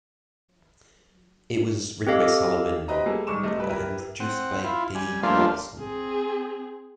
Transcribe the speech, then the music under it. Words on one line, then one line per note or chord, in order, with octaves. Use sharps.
It was written by Sullivan and produced by Dave Watson.
C4 G4 A4 D#5 F5
G4 B4 C5 D#5 E5 A#5
G3 A#3 G#4 A4
C2 G#2 C#6 D6 E7
C3 A3 D#5
G2 G4 B4
E4 G4 A#4 B4
C4 F#5
E4 F4
G3 G#5
F3 G3 A3 A#3 D4 F4
C4 G#4